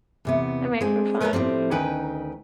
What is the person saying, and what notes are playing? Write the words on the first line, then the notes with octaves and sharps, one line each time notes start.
I might for fun,
E2 C3 B3
G#3 C4 D4
A#4 B4 C#5 F#5 A5 A#5
A2 F3 G3 C4
D2 D#3 C#4 D#4 B4 G5